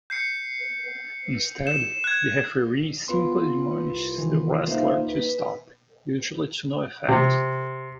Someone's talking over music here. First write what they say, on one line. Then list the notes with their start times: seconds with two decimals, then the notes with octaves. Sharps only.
Instead, the referee simply admonishes the wrestler to stop, usually to no effect.
0.10 G6 C7 C#7
1.67 E7
2.04 F#6 G#6
3.08 B3 F4 B4 C6
3.84 C2
4.18 D#3 E3
4.68 A#3 D#4 C5 E5 F5
5.09 B4
7.08 C3